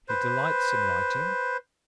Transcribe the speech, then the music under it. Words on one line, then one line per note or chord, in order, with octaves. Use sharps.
He delights in writing.
B4 C5